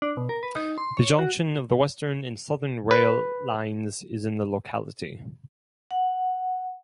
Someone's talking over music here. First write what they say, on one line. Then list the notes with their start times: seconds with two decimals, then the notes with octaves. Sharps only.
The junction of the western and southern rail lines is in the locality.
0.02 D4
0.17 B2
0.29 A#4
0.43 B4
0.56 D#4
0.78 C6
0.97 C#5
1.19 F#4
2.91 B4
5.91 F#5